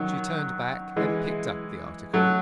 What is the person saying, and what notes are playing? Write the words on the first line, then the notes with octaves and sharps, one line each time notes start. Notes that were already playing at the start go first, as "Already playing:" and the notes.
She turned back and picked up the article.
Already playing: D#3 F#3
E3 G#3
F#3 A3